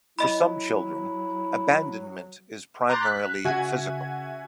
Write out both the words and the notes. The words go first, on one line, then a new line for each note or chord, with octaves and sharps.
For some children abandonment is primarily physical.
F#3 E4 D#5 B5
A#5 C6 D6 F#6 G6 A6
F#6 B6
C#3 F#4 E5 F#5 G#5 G#6